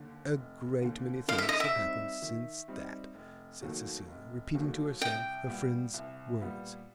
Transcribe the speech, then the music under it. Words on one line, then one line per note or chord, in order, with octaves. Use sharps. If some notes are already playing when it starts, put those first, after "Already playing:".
"A great many things have happened since that," said Cecilia, repeating to herself her friend's words.
Already playing: D#2 D3
F1
D#2 D3
D#3 F5
E5
D#5
E5
G3 C4 D#4
D#3
G3 C4 D#4
F1
D#2 D#3 F#3 A3
F1
D#2 D#3 F#3 A3
C2 G5
A#2 G3 B3
C2
A#2 G3 B3